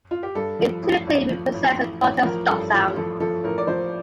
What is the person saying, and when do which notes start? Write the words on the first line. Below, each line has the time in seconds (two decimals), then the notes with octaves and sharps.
It typically represents a glottal stop sound.
0.11 F4
0.23 G4
0.35 G2 A4
0.59 F3
0.83 A1
1.07 A1
1.30 F3
1.54 A1
1.78 A1
2.01 A1
2.25 F3 A#4
2.49 G2 A4
2.73 A1 F4
2.97 F3 A4
3.20 F3 A4
3.44 A1 A#4
3.58 D5
3.67 F3 C5